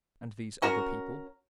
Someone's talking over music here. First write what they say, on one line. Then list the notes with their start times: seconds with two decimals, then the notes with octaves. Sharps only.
"And these other people?"
0.62 C#4 F#4 A#4